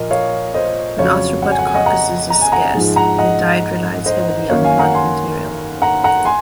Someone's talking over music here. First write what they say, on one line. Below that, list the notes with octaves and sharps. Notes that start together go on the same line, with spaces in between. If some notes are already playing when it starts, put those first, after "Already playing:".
When arthropod carcasses are scarce, their diet relies heavily on plant material.
Already playing: A#2 F3 A#4 D#5
C#5 F5
C5 D#5
F2 C#3 F#3 C#5 F5
F#5
G#5
F#5
G#5
D#5 F#5
F#5 A#5
A#5
G#5
F#5 A#5
G#2 F3 G#3
F#5 A#5
D#5 F#5
C5 D#5
F#2 D#3 A#3 C#5 F5
F5 G#5
F#5 A#5
G#5 C6
F#5 A#5
F#5 A#5
G#5 C6